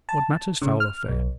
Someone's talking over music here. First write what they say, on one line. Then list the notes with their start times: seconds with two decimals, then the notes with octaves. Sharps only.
What matters foul or fair?
0.09 A5
0.62 C#3
0.80 F6
1.08 B1